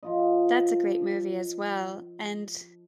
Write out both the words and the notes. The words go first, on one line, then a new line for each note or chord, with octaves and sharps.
That's a great movie as well and
F3 F4 D#5